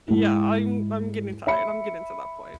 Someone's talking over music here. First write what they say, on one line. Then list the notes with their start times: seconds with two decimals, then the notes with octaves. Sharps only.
Yeah, I'm I'm getting tired, I'm getting to that point.
0.08 G#2 E4
1.47 E5 B5 C#7